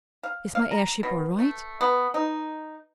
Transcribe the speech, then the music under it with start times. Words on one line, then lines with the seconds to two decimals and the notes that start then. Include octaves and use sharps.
"Is my airship all right?"
0.23 F5
0.55 F5
0.71 A#5
1.03 B2
1.39 A3
1.81 B3
2.14 D#4